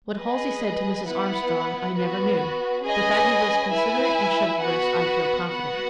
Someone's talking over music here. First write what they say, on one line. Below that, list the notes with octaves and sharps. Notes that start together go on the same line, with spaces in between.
What Halsey said to Mrs. Armstrong I never knew, but that he was considerate and chivalrous I feel confident.
G#4 B4 D#5
B3 E4 B4 F#5
B3 F#4 B4
C#4 G#4 B4 D#5 G#5
E4 B4 E5 G#5
B3 F#4 B4 F#5
B3 F#4 B4 F#5